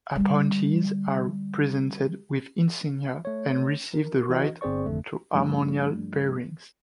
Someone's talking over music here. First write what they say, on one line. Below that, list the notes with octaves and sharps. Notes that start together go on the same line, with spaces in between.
Appointees are presented with insignia and receive the right to armorial bearings.
D3 G3
A3 C#5
A#4
E3 F#4 D#5
G1 C4 G#4 C5 D5 C#6
G#1 F2 D3 A3
G2 F3 G3 A3 D4